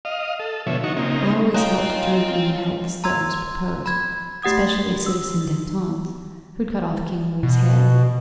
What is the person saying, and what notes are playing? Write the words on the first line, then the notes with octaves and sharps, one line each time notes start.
I always helped drink any healths that was proposed--specially Citizen Danton's who'd cut off King Louis' head.
D#5 F5
A4
B2 D3 F3 C#5 E5
D#3 D#4 F#4 C#6
C#3 A#3 C4 D#4
C4 D#4 F4 C#5 F5 G5 G#5
A#5 C6 E6 G#6
B5 G#6
A3 G4 F#5 D#6 G#6
E6
B2